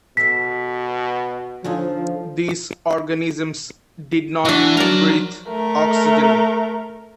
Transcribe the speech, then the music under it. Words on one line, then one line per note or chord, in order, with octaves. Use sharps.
These organisms did not breathe oxygen.
B2 A4 E5 B6
D3 F3 C#4 D#4
E3 D4 F#4
F#3 A#4 D5
A3 A#4